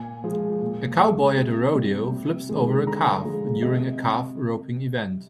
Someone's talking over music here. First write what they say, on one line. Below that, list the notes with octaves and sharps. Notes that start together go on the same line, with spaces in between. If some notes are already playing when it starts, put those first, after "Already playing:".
A cowboy at a rodeo flips over a calf during a calf roping event.
Already playing: A#2 G#5
F3 G#3
A#2
G#3
C3
G3
C3
D#3 G#3
D3 A#5
F3 G#3
C3 D#5